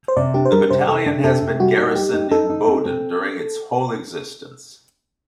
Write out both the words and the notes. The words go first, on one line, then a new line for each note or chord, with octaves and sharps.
The battalion has been garrisoned in Boden during its whole existence.
C5
C3 D5
D4 G4
C5
G3 A#4
C3 C5
C3 A4
D4
C3 A4
C3
G3 F#4
D#4
G3 G4
D#4
D#4 A4
D#4
C4
C4